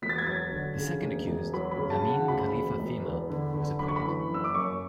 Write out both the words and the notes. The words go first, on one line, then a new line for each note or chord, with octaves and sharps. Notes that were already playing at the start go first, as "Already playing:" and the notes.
The second accused, Lamin Khalifah Fhimah, was acquitted.
E1 B6
A6
G#6
F#3 A6
D3
C#3
E1
E1
F#3 B5
B5
C#3
A5
C#3
F#5
D2 B5
E1
E1
E2
D3
D3
F#1 B5
C#6
B5
E3
F#1 E6
D6
F#2 C#6